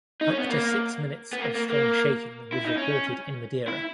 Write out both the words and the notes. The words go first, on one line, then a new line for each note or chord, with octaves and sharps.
Up to six minutes of strong shaking was reported in Madeira.
D#4
C#4
B3
A#3
B3
A#3
A#3
A#3
E4
D#4
C#4
E4